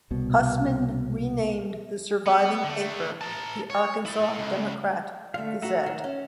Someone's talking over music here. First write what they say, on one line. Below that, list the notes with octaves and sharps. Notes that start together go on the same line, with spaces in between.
Hussman renamed the surviving paper the Arkansas Democrat-Gazette.
C2 B2
B3
D3 A3
A#4 A5
C#5
E4 A4
C#2
D3 A3 E5 F5
A3 F#4 E5 F#5 A#5
D#3
C#4